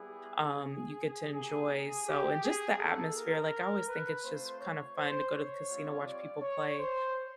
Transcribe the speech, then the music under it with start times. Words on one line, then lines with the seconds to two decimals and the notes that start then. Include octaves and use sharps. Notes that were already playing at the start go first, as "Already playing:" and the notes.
um, you get to enjoy, so and just the atmosphere, like I always think it's just kind of fun to go to the casino, watch people play
Already playing: G3 B3 E4 G4 G#4
1.33 A#3 D#4 G4 G#4
2.07 G4
2.43 G#4
2.79 A#3 D#4 F#4 A4
3.15 A#4
3.87 B4
4.24 A3 C4 F4 C5
4.60 C#5
4.96 C5
5.33 C#5
5.69 G3 C4 F4
6.06 D5
6.41 C#5
6.78 C5